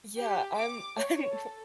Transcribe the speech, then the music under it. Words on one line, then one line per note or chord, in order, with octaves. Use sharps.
Yeah, I'm I'm
G4
D6
C#5
A4